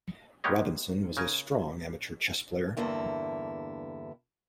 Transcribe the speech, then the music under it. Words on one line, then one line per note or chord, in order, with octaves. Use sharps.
Robinson was a strong amateur chess player.
G#3 A#3 B3 G4 C#5 D#5
C#3 A#4 G#5
E2 G2 D3 A#3 E4